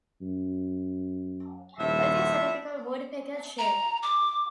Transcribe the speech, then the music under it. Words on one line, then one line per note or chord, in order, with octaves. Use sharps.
It is a typical woodpecker shape.
F#2
D#1 A2 F3 E5
A#5
D6